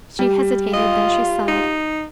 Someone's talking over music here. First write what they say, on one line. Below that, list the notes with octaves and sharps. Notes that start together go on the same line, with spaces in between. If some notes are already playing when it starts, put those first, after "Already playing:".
She hesitated; then she sighed.
G3
F4 D#5
D#4